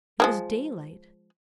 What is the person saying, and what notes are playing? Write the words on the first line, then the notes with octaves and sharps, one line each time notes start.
It was daylight.
F3 G#3 A#3